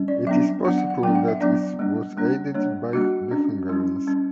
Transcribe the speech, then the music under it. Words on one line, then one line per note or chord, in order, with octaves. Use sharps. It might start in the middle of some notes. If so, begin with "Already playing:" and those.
It is possible that it was aided by the Hungarians.
Already playing: G3 C#4
D5
F#3 B3 D4 E5
F#3 B3 D4 F#5
F#5
F#5
F#3 B3 D4 G5
F#5
E5
F#3 B3 D4 D5
G3 A#3 D4
G3 A#3 D4
G3 A#3 D4 C#5
G3 A#3 D4 F#4
G3 C#4 D4
G3 C#4 E4
G3 C#4